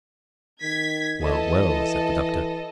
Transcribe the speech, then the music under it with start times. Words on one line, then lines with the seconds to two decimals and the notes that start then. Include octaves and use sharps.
"Well, well!" said the Doctor.
0.63 D#3 G#6 B6
1.22 E3 A4 D#5